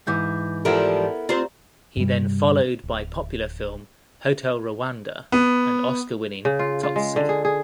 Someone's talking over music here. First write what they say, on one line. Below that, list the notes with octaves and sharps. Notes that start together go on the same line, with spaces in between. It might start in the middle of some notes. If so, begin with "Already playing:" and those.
He then followed by popular film "Hotel Rwanda" and Oscar Winning "Tsotsi".
G#2 E3 D6 G6
F3 G3 B3 E4 A4 A#4
C4 F4 G4 C5 D5 A#5
G2 C3 G3
D1
B3
C#3
F4
F4
G#3
D3
G#4
G#4